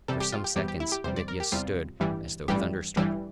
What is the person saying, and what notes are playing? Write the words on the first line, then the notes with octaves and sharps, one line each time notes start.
For some seconds Mitya stood as though thunderstruck.
E2 C3 G3 A4
G4
F4
G4
E2 C3 G3 G4
G4
E4
G4
E2 C3 G3 C5
D5
A#4
G4
E2 C3 G3 F4
A1 G2 E3 G3
A1 G2 E3 G3 G4
A1 G2 E3 G3